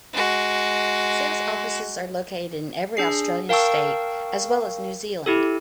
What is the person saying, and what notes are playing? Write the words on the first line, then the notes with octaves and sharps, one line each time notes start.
Sales offices are located in every Australian state as well as New Zealand.
G#3 F#4
D4 G#4 C7
A#4 F5 G5 A5 C#6 E6
E4 G4 A4